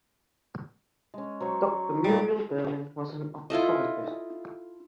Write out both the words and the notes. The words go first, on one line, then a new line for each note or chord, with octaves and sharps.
Doctor Muriel Berman was an optometrist.
G#3 C#4
F#3 C5 C#5
A#2 G3 D#4
E4 F4 A4 D#5